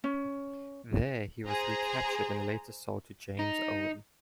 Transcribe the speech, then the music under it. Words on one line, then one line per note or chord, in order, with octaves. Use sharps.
There he was recaptured and later sold to James Owen.
C#4
G#4 C5 A#5
D#4